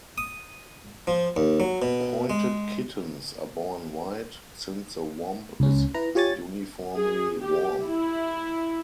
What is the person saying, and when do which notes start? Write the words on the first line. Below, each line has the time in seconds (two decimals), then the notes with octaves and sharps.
Pointed kittens are born white, since the womb is uniformly warm.
0.18 D#6
1.07 F3
1.37 D#2
1.60 F#3
1.82 B2
2.30 G#3
5.60 C#2 C#4
5.94 E4 B4 A#5
6.15 F4 G4 C#5 G#5 A6
6.97 G#4
7.41 G4
7.83 E4